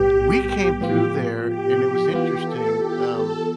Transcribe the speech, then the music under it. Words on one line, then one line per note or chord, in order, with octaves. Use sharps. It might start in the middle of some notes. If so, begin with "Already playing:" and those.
we came through there and it was interesting, um,
Already playing: B1 A2 G3 B3 G4
A2 F3 B3 F4 G4
G4
E3 B3 F4 G4
A4
G4
A4